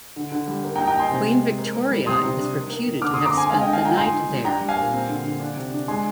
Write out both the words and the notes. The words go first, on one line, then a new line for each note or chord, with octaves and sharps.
Queen Victoria is reputed to have spent the night there.
D3
D3
G3
A#3
G5 A#5
D#4
G5 A#5
D#4 G#5 C6
C3
G#3
G#3
A#3
A#3
G3
C3 C6 D#6
C3
D4
D#3
A#3
D#3
D3 D6 F6
C6 D#6
D3
A#5 D6
C4 G#5 C6
G#3 F5 G#5
D#5 G5
D3
F5 G#5
F4 G5 A#5
D#4 G#5 C6
D#4
G3
D4 G5 A#5
G3
F5 G#5
A#2
C4
D3
D3
D4
C3
D4
G#3 G#5 C6